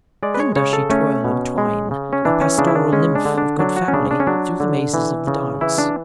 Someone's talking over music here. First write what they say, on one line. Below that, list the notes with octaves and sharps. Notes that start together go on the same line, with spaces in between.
Then does she twirl and twine, a pastoral nymph of good family, through the mazes of the dance.
G#3 D5
B4
C#5
C#3 C#5
A4
A3 C#4
B2
G#3
C#3
C#4
E3 D4
C#4
C#3 D4
E4
D4
G#3 C#4
D4
D3
D4
F#3 D4
F#4
C#4
C#3 D4
D4
C#4
F#3 D4
D3
E3
C#3
E3 E4
D4